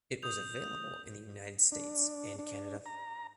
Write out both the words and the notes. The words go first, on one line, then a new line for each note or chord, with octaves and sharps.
It was available in the United States and Canada.
D#6 G6 F7
D4
D4
A#5